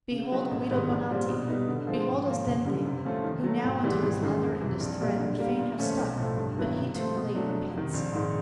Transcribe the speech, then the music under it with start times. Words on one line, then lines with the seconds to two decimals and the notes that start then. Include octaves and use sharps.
Behold Guido Bonatti, behold Asdente, Who now unto his leather and his thread Would fain have stuck, but he too late repents.
0.11 C#3
0.32 F#3 B3 D#4 F#4
0.51 A1
0.70 G#2 D#3 G3 B3
0.90 A#1
1.10 A#2 G3 C4
1.29 B2
1.48 G3 B3 D#4
1.68 D3
1.87 F3 G#3 C4
2.07 G#2
2.26 F3 A#3
2.46 F#1
2.65 F#2 D3 G3
2.85 C3
3.05 F3 A3 C#4 F4
3.24 D#3
3.44 F#3 A3
3.64 G#1
3.83 G#2 E3 G3 B3
4.03 G#1
4.23 F#2 D#3 G#3
4.42 F2
4.61 C3 E3
4.80 A#1
5.01 A#2 G3 A#3
5.19 D3
5.39 G3 A#3
5.59 A#2
5.78 F3 A3 C#4
5.98 B1
6.18 A2 F3 A3
6.37 G2
6.57 D#3 F#3 B3 E4
6.76 C3
6.95 F3 A3 C4
7.16 B2
7.35 F#3 A3 D4
7.55 F2
7.74 C3 D#3
7.94 A#1
8.12 G#2 D#3